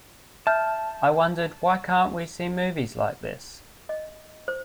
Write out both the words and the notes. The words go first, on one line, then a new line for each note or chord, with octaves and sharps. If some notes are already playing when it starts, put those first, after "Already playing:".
I wondered, why can't we see movies like this?
E5 A5 F6 G6
D#5
C5